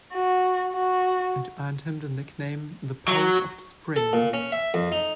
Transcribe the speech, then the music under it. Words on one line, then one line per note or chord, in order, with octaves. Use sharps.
It earned him the nickname the Poet of the Spring.
F#4
F#4
F#3
A4
A#2
C#4
E5
F2
D#4